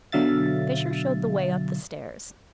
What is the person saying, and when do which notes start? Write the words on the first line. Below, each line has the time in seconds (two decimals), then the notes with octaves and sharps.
Fisher showed the way up the stairs.
0.12 B2 D3 F#3 E5 F5 A6